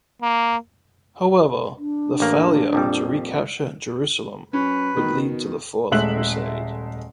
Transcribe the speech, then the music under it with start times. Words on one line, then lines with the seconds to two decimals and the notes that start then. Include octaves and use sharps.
However, the failure to recapture Jerusalem would lead to the Fourth Crusade.
0.22 A#3
1.78 D4
2.20 A1 A#3
2.73 A#1 F2 G3
4.53 F#2 C#4 B4
4.97 B2 D#3
5.92 D#1 G#3 A3 E5 F#6 F#7